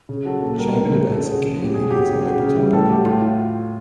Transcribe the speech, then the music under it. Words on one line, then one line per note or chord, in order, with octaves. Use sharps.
Chamber debates and committee meetings are open to the public.
C#3
F#3 A4
A#2 A4
G3 A#4
A2 A#4
F3 A#4
C#3 A4
F#3 G#4
C#3
F3
G4
B2 G#4
F#3 G4
C#3
F#3
C#3
E3 G3
A2 A4
F#3 G4
A2 F4